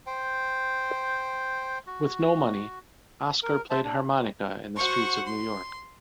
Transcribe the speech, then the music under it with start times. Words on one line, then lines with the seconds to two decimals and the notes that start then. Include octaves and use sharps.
With no money, Oskar played harmonica in the streets of New York.
0.06 C5 G5
1.87 F#4
3.43 A#4
3.70 C5 E5 A5
3.84 D4
4.76 F#4 C5 F#5 C#6
5.26 C6